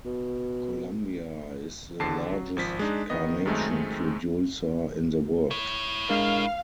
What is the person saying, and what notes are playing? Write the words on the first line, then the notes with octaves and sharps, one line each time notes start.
Colombia is the largest carnation producer in the world.
B2
D#2 D3 A5 C7
F#3
G#1 F3 B6
G#3 D4 D#4
D#3 B3 D#5
F#2 D#3 G#3 A3 C4 D#4
E4 C#5
G#3 D4 A#4 F5